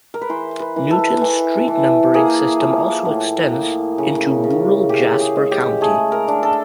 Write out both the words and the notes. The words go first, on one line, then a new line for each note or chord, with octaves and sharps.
Newton's street numbering system also extends into rural Jasper County.
A#4
B4
E3 C5
B4
E3
A4
E3
E3
A#3 G#4
F3
A2
A#3
C#3
C#3
C#3 G4
G#4
G#3
G4
A3 G#4
A#4
D4
A4